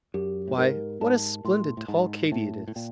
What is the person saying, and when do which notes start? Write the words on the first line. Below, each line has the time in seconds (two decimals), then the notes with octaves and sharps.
Why, what a splendid tall Katy it is!
0.14 F#2 G4
0.48 A2
0.58 G#2 A#4
1.01 G#2 A5
1.45 A2 C6
1.77 A2
1.88 G#2 A5
2.32 A2 A5
2.68 A2
2.75 A#2 G5